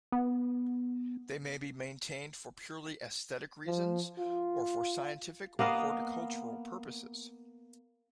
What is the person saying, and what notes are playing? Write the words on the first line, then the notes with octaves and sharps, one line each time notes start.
They may be maintained for purely aesthetic reasons or for scientific or horticultural purposes.
B3
F3
F4
A#3 B3 D#5 F5